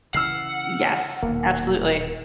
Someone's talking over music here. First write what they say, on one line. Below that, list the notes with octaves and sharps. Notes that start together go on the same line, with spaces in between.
Yes, absolutely.
C#3 E3 F#5 E6 F6 C7
D#1 B2 D#3 A#3